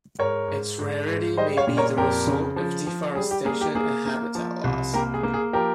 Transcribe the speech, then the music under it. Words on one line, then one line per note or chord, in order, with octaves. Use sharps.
Its rarity may be the result of deforestation and habitat loss.
G#2 A#4 C#5
G#2
G#2
G#2
G3 C5 D#5
C#5 F5
A#2
A#4 C#5
F2 G4 A#4
C#3
F3
F3
G3 G#4
G4
A#3 G#4
G4
A#3 G#4
A#3
F3
C2
A#3 G4 A#4
G#4
A#3
G#4
F3 G4 A#4